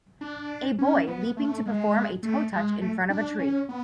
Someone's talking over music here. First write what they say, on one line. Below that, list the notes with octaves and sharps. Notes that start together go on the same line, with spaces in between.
A boy leaping to perform a toetouch in front of a tree.
D4
C#4
B3
A3
G#3
A3
G#3
A3
D4
C#4
B3